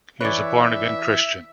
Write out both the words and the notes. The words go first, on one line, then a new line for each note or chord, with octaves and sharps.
He is a born-again Christian.
E3 B4 C#5 D5 E5